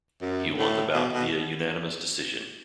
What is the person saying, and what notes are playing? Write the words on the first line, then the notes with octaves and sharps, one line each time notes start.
He won the bout via unanimous decision.
F#2
A2
B2
B2